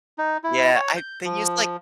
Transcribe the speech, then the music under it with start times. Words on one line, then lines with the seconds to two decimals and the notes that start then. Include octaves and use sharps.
Yeah, I they use, like
0.18 D#4
0.44 E4
0.75 C#5
0.97 G6
1.25 F3